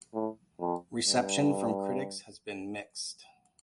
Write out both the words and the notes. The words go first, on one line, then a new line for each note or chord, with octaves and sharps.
Reception from critics has been mixed.
A2
F2
G2